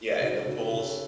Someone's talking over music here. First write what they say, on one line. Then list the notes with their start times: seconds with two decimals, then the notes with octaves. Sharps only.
yeah, and the pools
0.11 G#4
0.20 C#3 D#4 F#4
0.40 F#4 A4
0.46 C#3
0.59 G#4 B4
0.72 C#3
0.78 A4 C#5
0.89 C#5